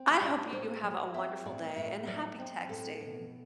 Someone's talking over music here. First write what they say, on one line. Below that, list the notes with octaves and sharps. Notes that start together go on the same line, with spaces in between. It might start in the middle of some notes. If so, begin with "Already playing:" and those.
I hope you have a wonderful day and happy texting.
Already playing: C4
E5
A2 D5
A2 C5
F#3
C4 E5
A2 D5
A2 E5
F#3 D5
C4
A2 A4
B2